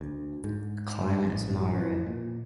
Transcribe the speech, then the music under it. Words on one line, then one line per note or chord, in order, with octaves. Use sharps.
The climate is moderate.
D2
G#2
A1
E3
A#2